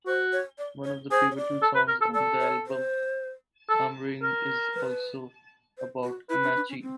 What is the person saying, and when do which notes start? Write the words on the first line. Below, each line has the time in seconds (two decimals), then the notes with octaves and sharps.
One of the pivotal songs on the album, "Ammaring", is also about Ammachi.
0.06 F#4 C5
0.33 C#5
0.58 D5
0.84 C#5
1.11 G#4 C5
1.31 C#5
1.36 D5
1.63 A4
1.75 B4
1.88 A#4
2.02 A4
2.14 A4 D5
2.40 C#5
2.67 C5
3.70 A4
4.23 A#4
4.75 B4
5.78 C5
6.03 F#4
6.30 E4 B4
6.43 D4
6.56 D4
6.69 C#4
6.82 C4